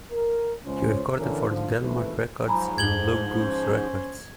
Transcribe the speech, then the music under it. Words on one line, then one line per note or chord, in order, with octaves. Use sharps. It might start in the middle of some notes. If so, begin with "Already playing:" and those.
He recorded for Delmark Records and Blue Goose Records.
A#4
C#2 C#4 C5
D3 E3 C#4 A#4
D3 F3
G#1 D2 C3 E3 A3 B4
G#2 F3 F#3 G#5 A#5 B5
F2 G#6 F#7 G7
C#4 C5